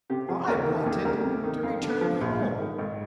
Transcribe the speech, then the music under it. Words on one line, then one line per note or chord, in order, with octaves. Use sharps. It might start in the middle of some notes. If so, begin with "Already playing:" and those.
I wanted to return home.
C3 G4
F3 G#4
D#2 A#4
A#4
D#3
G4
D#2 G#4
D2 A#4
C3
D#3
F2 F5
D3
F3
A#1
G#2
D#3
G#1